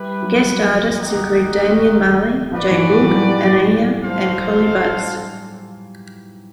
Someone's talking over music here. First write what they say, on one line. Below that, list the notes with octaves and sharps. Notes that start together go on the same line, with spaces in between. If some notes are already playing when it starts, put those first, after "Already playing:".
Guest artists include Damian Marley, J Boog, Anuhea, and Collie Buddz.
Already playing: G3 E4 G4 B4
F#3
D#4 G4 A#4 D#5 F#5
F3 F#4 B4 D5
E3
E3
F3
G3
F#3
G3
F#3
G3
D4 F4 A4 C5 F5